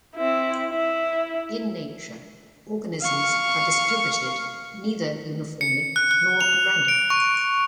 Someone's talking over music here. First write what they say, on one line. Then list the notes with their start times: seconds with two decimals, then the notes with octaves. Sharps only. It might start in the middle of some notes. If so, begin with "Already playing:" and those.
In nature, organisms are distributed neither uniformly nor at random.
0.16 C4 E4
0.70 E4
3.01 F5 C#6
5.61 C#7
5.96 F#6
6.11 F#6
6.41 F7
6.88 D7
7.10 C#6